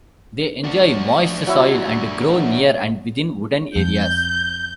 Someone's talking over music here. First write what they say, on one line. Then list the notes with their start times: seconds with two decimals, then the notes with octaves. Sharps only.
They enjoy moist soil and grow near and within wooded areas.
0.64 D4 F#4
1.47 F#3 E4
3.76 F2 G6